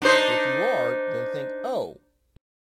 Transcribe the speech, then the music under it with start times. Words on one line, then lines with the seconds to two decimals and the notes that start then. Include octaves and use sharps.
If you are, then think Oh!
0.02 D4 D#4 C5